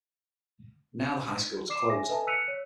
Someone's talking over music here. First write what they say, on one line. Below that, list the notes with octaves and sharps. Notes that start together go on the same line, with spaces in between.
Now the high school has closed.
D5 D6 C7 E7
E5 G#5 A#6
A4 B4 D#5 E5 G#5 A5
E6 F#6 B6 C#7 D#7 F7
C#5